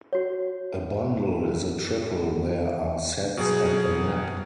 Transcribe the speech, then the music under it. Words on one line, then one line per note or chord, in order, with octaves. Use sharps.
A bundle is a triple where are sets and a map.
F#4 C#5
B2 F#3 G#4